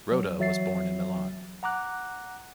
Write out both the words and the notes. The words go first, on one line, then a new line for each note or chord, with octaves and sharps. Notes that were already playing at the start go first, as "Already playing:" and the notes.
Rota was born in Milan.
F#3
E3 F#3 E5 A6 C7
F#5 A#5 D6 F#6